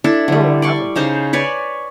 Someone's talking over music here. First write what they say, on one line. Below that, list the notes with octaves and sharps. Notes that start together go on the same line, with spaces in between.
'No, I haven't.
D4 E4 A4
D3 G3
D5 C6 C#6
C#3 D#4 C5 F5
B4 C#5 D5 G#5